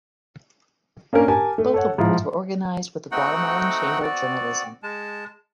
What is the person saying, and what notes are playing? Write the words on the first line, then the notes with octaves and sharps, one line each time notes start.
Both awards were organized with the Guatemalan Chamber of Journalism.
A#3 C#4 D4 A#4
G4 A#4 G#5 A5
A3
A4 C#5 F#5
G#2 F3 E4
A3 C4 D#4 F#4 F#5 G5
B3 C4 F#4 D5
G#3 A5